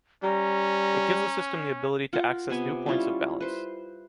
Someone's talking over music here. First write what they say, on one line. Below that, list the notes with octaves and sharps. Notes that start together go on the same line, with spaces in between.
It gives the system the ability to access new points of balance.
G3 C#4 A#5
F4 A#4 F#5
C3 B3 G#5 B5
G3 C#4 E4 F4
B4 C5